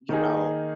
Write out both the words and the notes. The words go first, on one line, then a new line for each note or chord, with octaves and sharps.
you know,
D#3 A#3 D#4 G#4